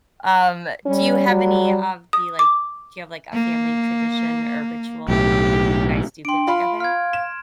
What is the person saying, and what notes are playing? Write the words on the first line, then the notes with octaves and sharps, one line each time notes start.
Um, do you have any of the, like do you have, like, a family tradition or ritual, like, when you guys do get together?
G3 C#4
F#3
D#6
D6
A#3
B1 A2 G4
D4 G5 C6 D7
F4 F5 B5
F5 F6 G#6
E7